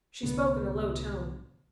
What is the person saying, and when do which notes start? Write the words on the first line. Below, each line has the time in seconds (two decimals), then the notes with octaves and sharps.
She spoke in a low tone.
0.23 C2 A2 D3 B3